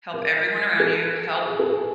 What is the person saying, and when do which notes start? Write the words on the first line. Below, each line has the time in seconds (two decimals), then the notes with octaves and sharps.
help everyone around you, help
0.14 A#4
0.80 A4
1.45 G#4
1.59 A4
1.72 G#4